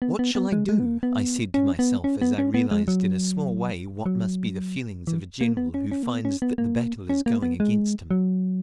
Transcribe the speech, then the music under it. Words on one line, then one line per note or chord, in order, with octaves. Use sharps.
"What shall I do?" I said to myself as I realised in a small way what must be the feelings of a general who finds that the battle is going against him.
B3
B3
B3
G#3
G#3
B3
A#3
B3
C#4
B3
C#4
B3
C#4
B3
G#3
F#3
F#3
E3
A#3
B3
C#4
C#4
A#3
B3
C#4
B3
A#3
C#4
A#3
B3
G#3
F#3